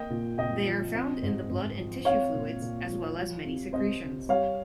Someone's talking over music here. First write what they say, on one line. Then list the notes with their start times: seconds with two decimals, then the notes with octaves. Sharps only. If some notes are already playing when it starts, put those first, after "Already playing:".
They are found in the blood and tissue fluids, as well as many secretions.
Already playing: A#3 D#5 G5
0.10 A#2
0.38 A#2 D#5 G5
0.67 F3
0.95 C4
1.22 G#2
1.50 G#2
1.78 F3
2.05 C4 C#5 F5
2.34 A#2
2.62 A#2
2.90 F3
3.17 F3
3.45 C2
3.73 C2 C5 D#5
4.01 C3
4.29 G3 C#5 F5